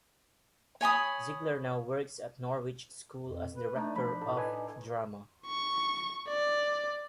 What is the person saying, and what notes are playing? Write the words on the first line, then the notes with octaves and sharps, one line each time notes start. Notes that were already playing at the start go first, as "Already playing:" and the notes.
Ziegler now works at Norwich School as Director of Drama.
C#5 G#5 B5 D#6
F2
B4
A3 D4 D#4
F3 B5
A2 A4
B4 D#5 G#5
C#6
D5